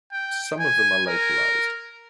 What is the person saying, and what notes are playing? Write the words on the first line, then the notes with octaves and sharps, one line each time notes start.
Some of them are localized.
G5
G#5
A#4